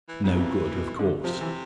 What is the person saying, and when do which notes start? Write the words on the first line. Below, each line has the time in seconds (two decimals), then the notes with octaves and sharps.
No good, of course.
0.08 E3
0.24 F2 E3
0.32 E2
0.39 F2
0.74 B2
0.99 D3
1.24 C3 F3
1.41 E3